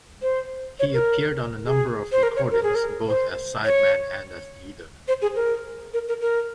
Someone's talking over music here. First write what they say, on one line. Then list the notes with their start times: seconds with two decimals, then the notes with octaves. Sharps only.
He appeared on a number of recordings, both as side-man and as leader.
0.22 C5
0.79 C#5
0.94 A#4
1.66 G#4
2.12 C5
2.23 A#4
2.36 C#5
2.51 A#4
2.63 G#4
2.75 A#4
3.08 C5
3.65 C#5
5.08 C5
5.22 G#4
5.36 A#4
5.94 A#4
6.08 A#4
6.21 A#4